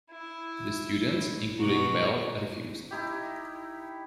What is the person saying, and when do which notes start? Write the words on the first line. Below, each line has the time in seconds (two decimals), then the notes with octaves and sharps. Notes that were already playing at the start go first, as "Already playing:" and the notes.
The students, including Bell, refused.
0.11 E4
1.58 B2 F#4 A#5
2.91 D#4 E4 G4